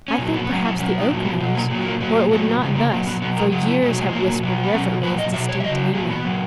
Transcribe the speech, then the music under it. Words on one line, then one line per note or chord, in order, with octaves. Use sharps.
I think perhaps the oak knows or it would not thus for years have whispered reverently its distinct Amen!
C#4
A#2 F#3 D#4
B3
B3
A#2 F#3 C#4
E4
B2 F#3 C#4
D#4
A#2 F#3 E4
B3
B2 F#3 G#3
A#3
A#2 F#3 G#3
A#3
A#2 F#3 B3
A#3
A#2 F#3 G#3
C#3 E3 G#3
A#3
A#2 F#3 A#3
B3
B2 F#3 B3
A#4
C#3 F#3 G#4
E4
B2 F#3 G#3
G#3
G#3
A#2 F#3 A#3
A#3
B2 F#3
B3
B2 F#3 C#4
A#2 F#3 B4
D#5
B2 F#3 E5
C#5
E5
C#3 F#3 D#5
A#2 F#3 G#4
B3
A#2 F#3